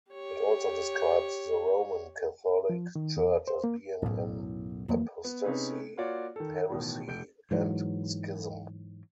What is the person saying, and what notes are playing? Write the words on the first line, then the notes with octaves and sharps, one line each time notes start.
It also describes the Roman Catholic Church as being in apostasy, heresy, and schism.
G4 C#5
F3
D#3
E2
C5
A#3
B1 F#2 A2 E4
F2 E3 F#3 A3 A#3
B3
C3 B3 C#4 D#4 G#4 B4
A#3 F4 F#4 C#5 D5
D#3 A4
A1 B2 D#3
F1 G6 D7
G#2 E3 F#3